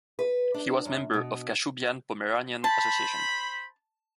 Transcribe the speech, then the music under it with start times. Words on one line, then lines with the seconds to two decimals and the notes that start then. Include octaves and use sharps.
He was member of Kashubian-Pomeranian Association.
0.19 B4
0.54 D4
0.85 F#2
1.13 B2
2.64 C5 A5 B5